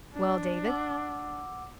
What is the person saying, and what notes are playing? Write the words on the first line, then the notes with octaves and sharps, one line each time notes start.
"Well, David."
D4
F#5 D6 E6